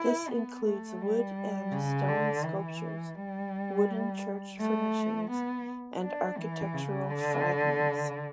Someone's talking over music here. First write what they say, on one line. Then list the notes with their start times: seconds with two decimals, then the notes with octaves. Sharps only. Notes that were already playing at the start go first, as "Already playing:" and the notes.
This includes wood and stone sculptures, wooden church furnishings and architectural fragments.
Already playing: E4
0.29 B3
0.66 A3
1.01 G3
1.72 C#3
2.08 D3
2.44 E3
3.15 G3
4.59 A3
5.30 B3
6.02 D4
6.37 E3
6.74 C#3
7.10 D3